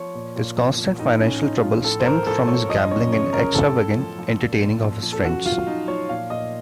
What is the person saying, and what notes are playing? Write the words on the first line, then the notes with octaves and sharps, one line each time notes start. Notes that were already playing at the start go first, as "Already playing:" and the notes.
His constant financial trouble stemmed from his gambling and extravagant entertaining of his friends.
Already playing: F3 C#5
A#2
A#2
F3
F3
A2 D#4
A2 C#4
F3 D#4
F3 F4
A2 A4
C5
A2 A#4
F3 A4
F3 C#5
F3 D#5
F#2 C#5
C#3 C#5
F#2 A#4
A2 A4
A2
F3
F3
A#2
A#2
F3
F3
A4
F#2 F#4
F#2 F4
F3 D#4
F3 C#5
A#2 F5
A#2 D#5